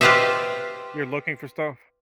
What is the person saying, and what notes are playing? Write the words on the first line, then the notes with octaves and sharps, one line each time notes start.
You're looking for stuff?
F4 G4 B4 C5 D#5 E5